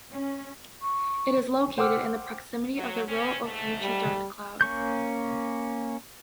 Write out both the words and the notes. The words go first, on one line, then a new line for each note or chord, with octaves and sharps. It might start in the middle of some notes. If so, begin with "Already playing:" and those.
It is located in the proximity of the Rho Ophiuchi dark cloud.
C#4
C#6
C5 F#5 G5 D6 E6 F6
F#3
E2 C4 C#4
D#2 G#2 A3
G3
A#3 C#4 C#6 G6